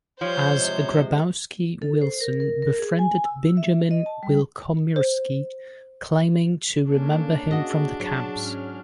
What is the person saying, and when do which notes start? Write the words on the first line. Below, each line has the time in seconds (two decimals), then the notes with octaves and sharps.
As Grabowski, Willson befriended Binjamin Wilkomirski, claiming to remember him from the camps.
0.21 F3 G3 C5 C#5 G6
0.54 C3 G#3
1.82 A4
2.02 C5
2.21 A#4
2.40 A#4
2.62 A#4
2.79 G#4
2.99 G#5
3.25 E6
3.57 E5
3.91 D#5
4.06 A5
4.23 G3
4.96 C5
6.90 A#3 C#4 D4 A4
7.51 F#4 G#4 D#5
8.00 F#3 A5
8.33 G#2 C#4 F6